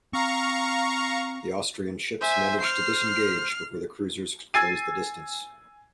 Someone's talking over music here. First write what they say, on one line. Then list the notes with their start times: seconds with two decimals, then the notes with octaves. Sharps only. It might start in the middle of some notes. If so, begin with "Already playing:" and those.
The Austrian ships managed to disengage before the cruisers could close the distance.
0.13 C4 F5 A#5 C#6
2.21 C5 E5 G#5
2.60 F6 C7
4.54 G#5 E6 G#6 A6 C7 D#7